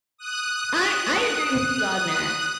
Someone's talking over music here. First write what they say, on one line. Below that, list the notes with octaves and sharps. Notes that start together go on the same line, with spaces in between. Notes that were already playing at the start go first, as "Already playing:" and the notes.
I I agree with you on that,
D#6 F#6